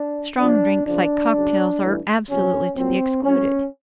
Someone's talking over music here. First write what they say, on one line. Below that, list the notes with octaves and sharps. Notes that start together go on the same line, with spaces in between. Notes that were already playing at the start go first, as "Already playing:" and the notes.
Strong drinks like cocktails are absolutely to be excluded.
Already playing: D4
A#2 F3 D4
C#3 F3 D4
C#3 F#3
A2 E3 G3
C3 F3 C#4
A#2 F#3 C4
A2 F#3 C#4